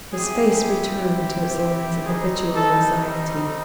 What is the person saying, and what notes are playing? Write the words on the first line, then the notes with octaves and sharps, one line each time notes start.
His face returned into its lines of habitual anxiety.
C4 E4 G4 G#4
G3 C4 D#4 G#4
A4